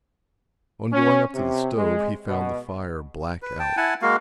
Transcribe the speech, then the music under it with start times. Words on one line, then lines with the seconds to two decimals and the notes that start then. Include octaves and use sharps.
On going up to the stove he found the fire black out.
0.92 C#4
1.35 C3
1.76 G#3
2.28 B2
3.42 B4
3.59 G5 A5
3.77 E4 F#5 G#5 A5
4.02 G#3 A#3 F#4 F5